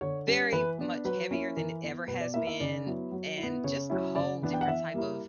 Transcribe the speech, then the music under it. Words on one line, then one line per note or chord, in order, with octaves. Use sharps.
very much heavier than it ever has been, and just a whole different type of
D3 C#5
G3 C#4
E3 B4
B3 D4
F#3 B4
A#3 C#4 E4
E3 A#4
B3 E4
B2 B4
D5
A#3 E4 E5
E5
C#3 D5
F#3 B3 E4
F#3
E4
B3
C#3 C#5
F#3 C#4 E4
C#3 D5
E3 B3 D4
G5
F#5
E3 E5
G3 A#3 E4